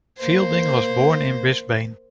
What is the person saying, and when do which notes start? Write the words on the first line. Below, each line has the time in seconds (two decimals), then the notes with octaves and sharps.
Fielding was born in Brisbane.
0.18 A#3 C5